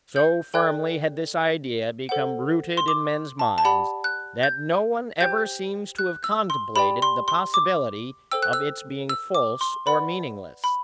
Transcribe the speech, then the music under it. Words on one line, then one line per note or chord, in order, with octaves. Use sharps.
So firmly had this idea become rooted in men's minds, that no one ever seems to have contemplated the possibility of its being false or meaningless.
G6
A4 D5 G5 F#6
A4 C5 F#5
C6
D6
A5
A5
G4 D5 F#5 B5
F#6
G6
G4 C5 G5 G6
F#6
E6
C6
G4 D5 G5 B5
C6
C6
D6
A4 C5 G5 E6
F#6
E6
E6
D6
C6
B4 D5 F#5 B5
B5